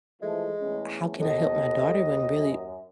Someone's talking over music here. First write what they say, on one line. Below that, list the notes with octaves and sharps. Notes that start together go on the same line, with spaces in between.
how can I help my daughter when really
E3 F3 G#3 A3
E2 A3 C#4
D#2 B2 A4 D#5
F#2